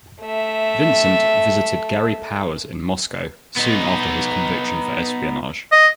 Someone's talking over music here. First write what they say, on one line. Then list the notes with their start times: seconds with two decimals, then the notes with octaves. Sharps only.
Vincent visited Gary Powers in Moscow soon after his conviction for espionage.
0.22 A3 E5
3.56 B3 D#4
5.72 D#5